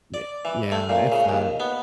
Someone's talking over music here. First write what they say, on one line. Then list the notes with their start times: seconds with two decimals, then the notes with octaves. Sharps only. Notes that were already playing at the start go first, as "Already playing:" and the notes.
Ye yeah, if that.
0.14 D5
0.45 E3
0.72 A3
0.89 A#2
1.12 C#3
1.29 D#2
1.60 B3